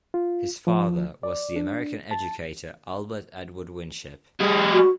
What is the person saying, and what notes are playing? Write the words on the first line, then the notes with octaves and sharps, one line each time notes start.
His father was the American educator Albert Edward Winship.
F4
F3
D5
D4
A5
G3 G#4
F#4